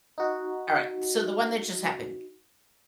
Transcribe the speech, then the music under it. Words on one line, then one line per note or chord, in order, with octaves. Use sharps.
Alright, so the one that just happened.
D#4 F#4